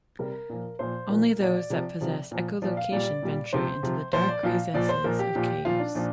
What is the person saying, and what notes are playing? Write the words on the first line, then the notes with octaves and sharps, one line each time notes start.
Only those that possess echolocation venture into the dark recesses of caves.
C3 G3 A#4
A#2 F3
A#2 F3 C5
A#2 F3 A#4
A#2 F3 D5
C3 F3
C3 F3
A#2 F3
A#2 F3 D5
F5
A#2 G3 D5
A#2 G3
C3 F3 C5
C3 F3
A#2 F3 C5
D5
A#2 F3 F5
A#2 F3 D5
C5
A#2 F3 A#4
G4
A#2 F3
A#2 F3 F4
D4
A#2 F3 D4